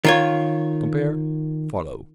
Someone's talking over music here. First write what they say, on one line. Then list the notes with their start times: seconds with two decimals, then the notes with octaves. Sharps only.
Compare FOLLOW.
0.05 D#3 F4 C#5